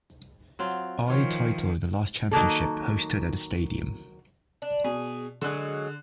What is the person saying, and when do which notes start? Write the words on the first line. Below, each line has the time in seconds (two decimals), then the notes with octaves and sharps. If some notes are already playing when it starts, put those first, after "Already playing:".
I title in the last championship hosted at the stadium.
0.59 F#3 C4 F4
1.07 D#3 F3 F4 C#5
2.31 D#3 F#3 A#3 A4
4.62 D4
4.84 B2 G#4
5.42 D3 F#3 G#3 F#6